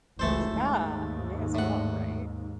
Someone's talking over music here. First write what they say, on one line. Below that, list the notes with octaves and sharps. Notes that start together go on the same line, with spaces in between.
Yeah, may as well, right?
F#1 C#2 E3 A3 A4 C5
D#2 G#2
A2 F#5